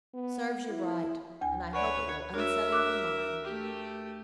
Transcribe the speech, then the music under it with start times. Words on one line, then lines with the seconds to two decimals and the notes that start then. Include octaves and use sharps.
Serves you right; and I hope it will unsettle your mind.'
0.14 B3
0.69 E4
1.41 D2 G#5
1.73 B4 C#5 D5 F#5 C#6
2.33 D4 F#4 A#4 C#5 E5
2.72 D6 E6 F#6
3.45 A3 G4